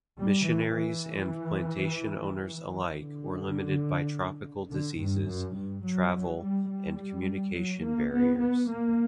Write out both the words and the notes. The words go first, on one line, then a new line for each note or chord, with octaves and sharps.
Missionaries and plantation owners alike were limited by tropical diseases, travel, and communication barriers.
G3
E3
E3
D3
D3
G2
F#2
G2
F#3
F#3
G3
G3
F#3
A#3
B3
B3
A#3